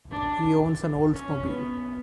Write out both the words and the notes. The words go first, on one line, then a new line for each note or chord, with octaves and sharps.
He owns an Oldsmobile.
D4
C#4
B3